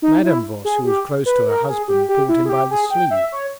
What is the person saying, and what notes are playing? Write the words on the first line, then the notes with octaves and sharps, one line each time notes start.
Madame Voss, who was close to her husband, pulled him by the sleeve.
D#4
E4
G#4
G4
B4
A#4
G#4
G4
G4
E4
G#4
G4
G#4
G5
E5
C#5